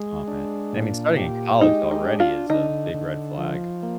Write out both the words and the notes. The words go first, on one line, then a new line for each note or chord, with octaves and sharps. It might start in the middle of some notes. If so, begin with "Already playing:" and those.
Oh, man. And, I mean, starting in college already is a big red flag.
Already playing: G#3
D4
A#2
G4
G#3 D#4
D#4
D4
F4
D3 D#4
D3
F3
A#3